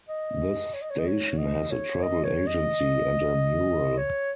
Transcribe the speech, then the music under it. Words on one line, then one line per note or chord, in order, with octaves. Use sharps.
This station has a travel agency and a mural.
D#5
C#5
D#5
C#5
D#5
C#5
D#5
C#5
D#5
C#5
D#5
C#5